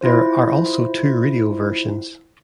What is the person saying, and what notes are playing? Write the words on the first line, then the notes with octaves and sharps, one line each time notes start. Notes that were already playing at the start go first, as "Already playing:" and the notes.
There are also two radio versions.
E4 F4 C5